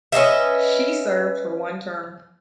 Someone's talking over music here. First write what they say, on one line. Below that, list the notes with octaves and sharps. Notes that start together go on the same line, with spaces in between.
She served for one term.
C#4 B4 D#5 E5